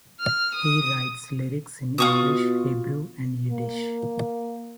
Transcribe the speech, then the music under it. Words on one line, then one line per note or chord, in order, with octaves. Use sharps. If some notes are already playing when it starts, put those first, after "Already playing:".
He writes lyrics in English, Hebrew, and Yiddish.
F6
D#6
B2 F4 C#6 D#6
A#3